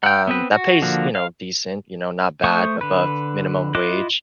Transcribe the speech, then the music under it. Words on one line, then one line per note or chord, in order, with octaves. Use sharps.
um, that pays, you know, decent, you know, not bad, above minimum wage,
F#5 G5
B3 C4 B4
F#4
D3 F3 A#3 F#4
F5
A3 C5 C#6 D#6
D3 B4
E4 F4 D#5 D6 F#6